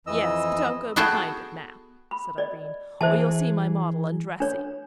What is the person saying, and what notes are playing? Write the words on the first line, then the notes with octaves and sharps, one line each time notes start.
"Yes, but don't go behind it, Mapp," said Irene, "or you'll see my model undressing."
F2 E3 D#5 E6
B3 F#4 G#4 A4 G5 A5
B5
D5 D#5
E3 G#4 C5 E5 A5
D4 C#5